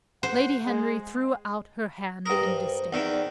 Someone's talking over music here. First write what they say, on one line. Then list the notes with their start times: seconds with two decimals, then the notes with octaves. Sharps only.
Lady Henry threw out her hand in disdain.
0.23 C5 F#5
0.66 G#3
2.26 G2 A#4 D#6
2.46 C5
2.93 E2 D#3 D5